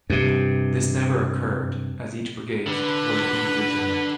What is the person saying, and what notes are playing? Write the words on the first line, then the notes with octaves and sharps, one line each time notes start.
This never occurred, as each brigade deployed individually.
G2 C3
D3 B4